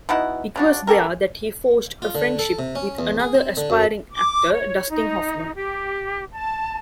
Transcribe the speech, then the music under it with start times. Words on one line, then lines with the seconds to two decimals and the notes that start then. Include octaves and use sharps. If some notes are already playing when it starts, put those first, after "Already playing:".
It was there that he forged a friendship with another aspiring actor, Dustin Hoffman.
0.09 B2 D#4 E4 F#5
0.56 C#3 D4 F#4
0.87 C#4 G4 A4 A#4
2.02 F4
2.15 D3
2.39 A4
2.59 C3
2.75 C#4
2.99 E2
3.20 G#4
3.34 C4
3.57 D3
3.70 F#2
4.11 D6
4.51 C#5
4.91 D#4
5.55 G4
6.32 A5